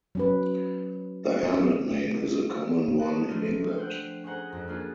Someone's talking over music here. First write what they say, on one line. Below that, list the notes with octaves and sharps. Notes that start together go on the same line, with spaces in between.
The hamlet name is a common one in England.
F#3 C#4 B4
B4 D#5 A5 A#5
F3 A3 D4 F4
C5 F#5 G5
C#4 G#4 C5 F#5 A#5
F2 A#6
A#3 C#4 D4 F4 F#4 G#4